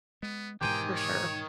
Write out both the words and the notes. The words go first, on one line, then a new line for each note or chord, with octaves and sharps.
for sure.
G#3 B3
G#2 B2 D#3 E3 G4 C5 G5 G#5
C#5